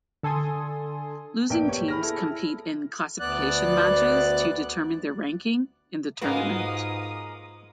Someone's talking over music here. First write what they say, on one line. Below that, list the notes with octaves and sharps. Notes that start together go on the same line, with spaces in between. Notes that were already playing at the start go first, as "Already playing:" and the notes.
Losing teams compete in classification matches to determine their ranking in the tournament.
D3 A4 G#5 C6 D#6
A#1 A#3 B3 G5 D7
G4 C#5
G#4 B5 F6 A#6
E4 A4
D2 B3 D5 F#6
G#2 G#3 A#3 F4 F#4 B4 D#6